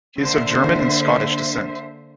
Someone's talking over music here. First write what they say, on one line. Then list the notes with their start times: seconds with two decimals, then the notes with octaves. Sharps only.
He is of German and Scottish descent.
0.19 D3 A#3 C5 E5